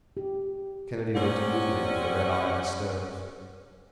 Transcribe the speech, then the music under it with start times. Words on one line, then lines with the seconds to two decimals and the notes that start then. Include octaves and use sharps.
Kennedy looked moodily into the red eye of the stove.
0.17 G4
1.15 C3 C4 C#4 D5 F#5